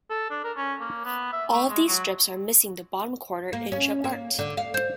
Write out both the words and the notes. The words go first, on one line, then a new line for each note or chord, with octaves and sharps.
All of these strips are missing the bottom quarter inch of art.
A4
D4
A#4
C#4
A#3
B3
E5
A3
G#3
F#3
A#3
C#4
A#3
D3
F5
C5